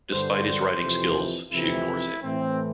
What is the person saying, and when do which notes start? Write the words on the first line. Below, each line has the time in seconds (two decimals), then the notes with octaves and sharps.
Despite his writing skills, she ignores him.
0.10 G2 D3 C5
0.46 C5
0.81 F2 C3 E3
1.52 F2 C3 E3 E4
2.23 A2 E3 C4